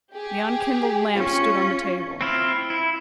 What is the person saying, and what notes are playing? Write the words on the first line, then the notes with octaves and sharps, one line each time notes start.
The unkindled lamp stood on the table.
G4 G#4
C#4 F4
C4 E4 F4
E4